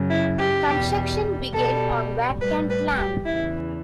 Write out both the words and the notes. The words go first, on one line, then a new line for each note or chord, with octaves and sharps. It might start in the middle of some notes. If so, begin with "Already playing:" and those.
Construction began on vacant land.
Already playing: F#2 C#3 F#3
E4
G4
E2 B2 G3
B2 G3 A4
A2 G3 B4
B4
G4
E2 C#3 E3 E4